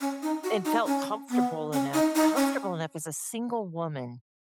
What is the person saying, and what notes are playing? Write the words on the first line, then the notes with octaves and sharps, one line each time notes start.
and felt comfortable enough comfortable enough as a single woman
C#4
D#4
F#4
D#4
C#4
B3
C#4
D#4
D#4
C#4